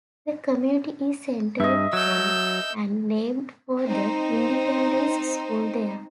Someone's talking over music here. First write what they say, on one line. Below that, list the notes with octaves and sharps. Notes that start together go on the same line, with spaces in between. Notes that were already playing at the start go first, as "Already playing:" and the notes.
The community is centered on and named for the Independence School there.
G2 D#5 E5
F#3 E6 G6
C4 D#4 C5